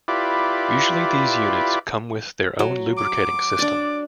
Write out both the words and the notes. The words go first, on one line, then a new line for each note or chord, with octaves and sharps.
Usually these units come with their own lubricating system.
E4 F4 G4 B4 D5
F#3
D6
D4 D5